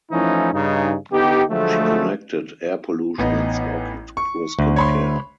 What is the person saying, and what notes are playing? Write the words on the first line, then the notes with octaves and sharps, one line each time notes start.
She connected air pollution and smoking to poor skin care.
E3 F3 A3 C#4 D#4 E4
G2 C#3 D#4
D3 B3 D#4 G4
D3 F3 F#3 G#3 A3
A1 B3 D#4
C#6
D2
C#5 B5 C6